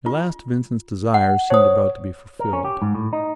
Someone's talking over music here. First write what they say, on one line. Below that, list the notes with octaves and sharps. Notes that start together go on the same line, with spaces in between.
At last Vincent's desire seemed about to be fulfilled.
F4
F#5
C5 C#5 D#6
A#4
C#4
G4
G#2
A2
D#4